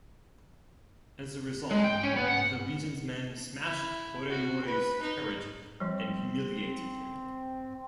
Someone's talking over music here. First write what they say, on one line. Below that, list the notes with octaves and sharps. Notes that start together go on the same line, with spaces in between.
As a result, the Regent's men smashed Koremori's carriage and humiliated him.
G#3
G5
C#4
B3
F#5
E4
F#4
B4
D#4
F3 G3 C4